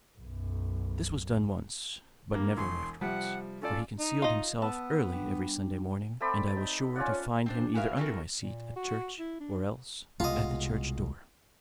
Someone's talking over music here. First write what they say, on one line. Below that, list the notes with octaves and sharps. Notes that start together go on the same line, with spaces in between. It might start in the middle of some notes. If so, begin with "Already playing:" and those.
This was done once, but never afterwards; for he concealed himself early every Sunday morning, and I was sure to find him either under my seat at church, or else at the church-door.
B1 F#2
G2 A#3
E1 C6 C#6
C3 F3 G3 F#5
C#4 F4 A4 D5
D#4
F4 D#5
B3 A5 E6
G3 D4
A3 C4 D5 B5
D#4
C#4 F4 D5 F#5
C4 D4 C5
E4 F#4 G#4 A#4 C#5 F5
C4 C#4 E4 F#4 A4 A#4
A#2
F#4
E4
D4
C2 B2 G#3 F4 D#5